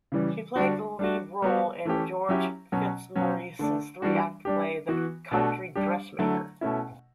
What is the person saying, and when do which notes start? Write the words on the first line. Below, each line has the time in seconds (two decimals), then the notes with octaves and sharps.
She played the lead role in George Fitzmaurice's three-act play "The Country Dressmaker".
0.12 C#3 E3 G3
0.56 D3 G3 D4 F#4
0.99 G3 D4 F#4
1.42 G3 B3 F#4
1.85 E3 A3 C#4 G4
2.29 F#3 C#4 E4 G4
2.72 B2 F#3 C#4
3.16 B2 F#3 C#4
3.59 D3 A3 D4
4.02 E3 G3 D4 F#4
4.45 G3 D4 G4
4.88 E3 B3 F#4
5.31 B2 A3 D4 F#4
5.76 G3 D4 G4
6.19 D3 F#3 A3 E4
6.61 B2 A3 C#4 E4